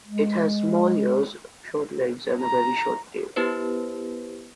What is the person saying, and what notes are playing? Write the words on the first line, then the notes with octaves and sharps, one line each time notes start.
It has small ears, short legs and a very short tail.
G#3
A#5
B3 E4 G4 B4 C5